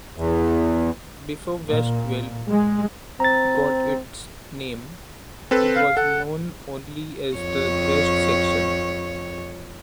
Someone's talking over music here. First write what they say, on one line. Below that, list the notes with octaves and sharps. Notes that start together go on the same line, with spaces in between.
Before Westville got its name, it was known only as the West Section.
E2
A#2
G#3
C4 A#5 A6
C4 A4 B4
F5
A4 F#5
F2 C#5